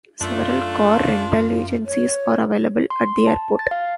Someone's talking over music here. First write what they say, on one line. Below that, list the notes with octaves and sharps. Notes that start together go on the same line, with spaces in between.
Several car rental agencies are available at the airport.
F#2 A3 D4 F4
C#5
C6
A5
A6
F5